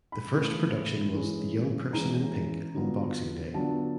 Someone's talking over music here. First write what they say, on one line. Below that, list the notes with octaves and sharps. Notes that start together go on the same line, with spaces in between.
The first production was "The Young Person in Pink" on Boxing Day.
B5
C#3 E3 A3
E3 G#3 C#4 E4
E3 G#3 C#4 E4 A#5
D3 F#3 B3 D4 F4
D3 F#3 B3 D4 F4 A5